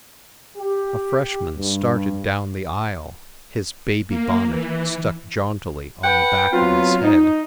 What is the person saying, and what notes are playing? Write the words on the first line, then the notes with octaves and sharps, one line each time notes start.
A freshman started down the aisle, his "baby bonnet" stuck jauntily on the back of his head.
G4
G2
A#3
E3
B4 F#5 G5
F#3 B3 C4 F4
D#4